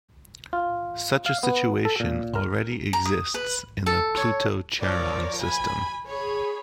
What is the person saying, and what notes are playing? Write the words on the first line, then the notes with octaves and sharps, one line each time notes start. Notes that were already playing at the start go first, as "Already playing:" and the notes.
Such a situation already exists in the Pluto-Charon system.
F4
F5
B3
A4
A#2
A#4
A#5
D#6
B4
A4
C#5
F3 A#4 C#5 D5
G#5 B5
G#4 C#5 B5